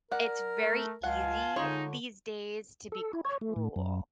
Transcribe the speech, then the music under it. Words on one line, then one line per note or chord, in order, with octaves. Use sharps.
it's very easy these days to be cruel.
A#4 D5 F#5
A3
C#2 F4 F5 F#5 G#5 A5
D3 G#3 D#4 F4 C#5
A4
E4
C#5
A3
A2
F#2